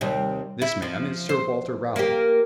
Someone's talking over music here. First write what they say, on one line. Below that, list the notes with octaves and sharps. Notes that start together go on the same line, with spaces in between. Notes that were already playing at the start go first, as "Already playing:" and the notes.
This man is Sir Walter Raleigh.
D#2 C3 G3
E4
F3
C5
A#3 G4